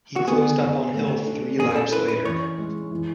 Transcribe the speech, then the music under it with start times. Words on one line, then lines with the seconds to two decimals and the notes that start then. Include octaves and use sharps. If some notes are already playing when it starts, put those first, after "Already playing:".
He closed up on Hill three laps later.
0.16 F#4
0.28 B3 G#4
0.60 D3
0.93 A3
1.27 D4
1.59 C#4 G#4
1.70 G#4
1.76 A4
1.92 E4 B4
2.08 B4
2.25 E3 C#5
2.58 G#3
2.91 E3